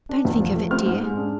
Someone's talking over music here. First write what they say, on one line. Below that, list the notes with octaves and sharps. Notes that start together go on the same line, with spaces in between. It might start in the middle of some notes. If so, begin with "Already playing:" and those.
'Don't think of it, dear.
D4
E2
F3
A3
C4 F6
G#2
G#3
D4